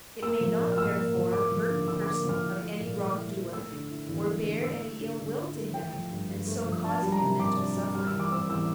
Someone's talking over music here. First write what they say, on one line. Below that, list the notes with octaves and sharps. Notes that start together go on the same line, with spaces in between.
It may not, therefore, hurt the person of any wrong-doer, or bear any ill-will to him and so cause him mental suffering.
A#3 E6
F3
A#2
F6
A#2 E6
A#3
F3
A#3 D6
F3
D3
D3 E6
A#3 D6
F3 F6
E4
A3
A#2
A#2
E4
A3
A3 E6
D3
E4
E2
A3
D3
E4 E6
A3
D3
D3
E4
A3
A3 G5
F3
G2
G2
A3
F3
D4 A5
G3
A#5
C3
C3 D6
D4
G3
G3 F6
E6
E3
D6
C4 E6
E2 E6